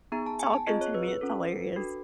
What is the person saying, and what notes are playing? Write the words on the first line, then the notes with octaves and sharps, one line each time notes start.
talking to me, it's hilarious.
B3 D#4 G#4 A#5
A5
G#5
A5
C4 F4 G#4 D#5
C#5
B4
B4
C#4 F4 A4
D4 F#4 A4